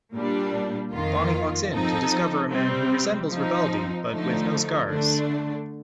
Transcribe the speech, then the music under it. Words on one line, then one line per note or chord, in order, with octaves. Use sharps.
Bonnie walks in to discover a man who resembles Ribaldi, but with no scars.
A#2 G3 D4
F2 D#3 A#3 F4
F3 C4 D#4 A4
C3 G3 C4
F3 C4 D#4
D3 F3 A3 D#4
D3 A3 D4